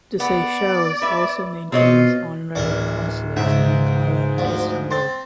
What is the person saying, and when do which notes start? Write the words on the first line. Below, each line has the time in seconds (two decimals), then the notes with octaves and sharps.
The Seychelles also maintains honorary consulates in Ankara and Istanbul.
0.20 B3 D5
1.02 B4 E5
1.72 B2 C4 F4 C#5 D#5
2.55 D1 E3 A#4 D5
3.37 C#2 G#2 E5
4.38 D2 F3
4.91 C4 C6 A6